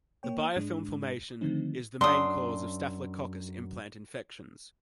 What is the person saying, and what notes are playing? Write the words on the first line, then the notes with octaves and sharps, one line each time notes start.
The biofilm formation is the main cause of "Staphylococcus" implant infections.
A#3 C#5 G5
G#2 G#3 D4
D3 D#3 F3 A3 C4 D#4
F#2 D4 C6 D#6